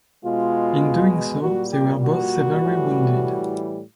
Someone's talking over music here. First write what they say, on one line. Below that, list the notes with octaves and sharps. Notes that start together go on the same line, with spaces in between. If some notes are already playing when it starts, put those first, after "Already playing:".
In doing so, they were both severely wounded.
B2 G#3 F4
A#2 G3 F#4
G4
F#4
A2 E3 G3